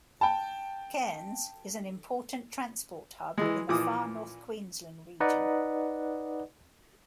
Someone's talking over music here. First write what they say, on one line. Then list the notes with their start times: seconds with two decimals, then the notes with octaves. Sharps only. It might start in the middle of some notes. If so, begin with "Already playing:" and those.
Cairns is an important transport hub in the Far North Queensland region.
0.21 G5 A5
3.38 E3 G#3
3.69 A#2 E3 F3 D6 D#6
5.20 D#4 B4 D5 D#5 F#5